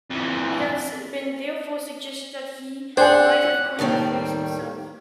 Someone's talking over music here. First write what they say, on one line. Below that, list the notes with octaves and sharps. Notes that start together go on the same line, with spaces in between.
It has been therefore suggested that he might have coined the phrase himself.
F2 E3
D4 G#4 C5 F#5 G5
D#2 A2 D#3 G3